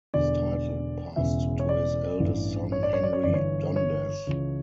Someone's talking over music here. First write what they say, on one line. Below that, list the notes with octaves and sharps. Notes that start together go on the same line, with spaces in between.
His title passed to his eldest son Henry Dundas.
E1 E2 D3 D5
E1 E2 C#3 E3 E5
C#5
D5
A1 G2 E3
C#5
D5
C#5
D5
C#5
G1 G2 E3 D5
C#5
C#5
C#2 C#3 E3